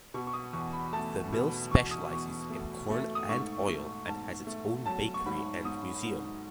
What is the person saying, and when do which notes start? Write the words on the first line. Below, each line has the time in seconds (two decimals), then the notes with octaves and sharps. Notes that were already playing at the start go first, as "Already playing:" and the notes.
The mill specializes in corn and oil and has its own bakery and museum.
0.14 B2 C#6
0.27 C#6
0.33 D#6
0.53 E2 C#6
0.73 B5
0.93 A3 A5
1.32 B2
1.71 E2 C#6
1.91 D#6
2.10 E2 C#6
2.50 A3
2.90 A3
3.15 D#6
3.29 G#2 C#6
3.68 A3
4.08 G#2 A5
4.47 A3
4.86 F#3 A5
5.14 C#6
5.25 G#2 B5
5.65 G#2 D#6
6.05 G#2